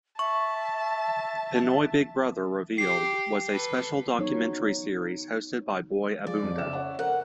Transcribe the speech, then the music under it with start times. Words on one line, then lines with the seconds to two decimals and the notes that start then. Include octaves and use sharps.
"Pinoy Big Brother Revealed" was a special documentary series hosted by Boy Abunda.
0.19 E5 A5 C#6
2.78 G4 C7
3.50 A4 B4
4.19 F#3 B3 D#4 C#5
6.27 F3 G#3 D5
6.42 F2
6.57 C#3 E5 E7
6.73 C#5 E5 F#5
6.99 A#4 F#5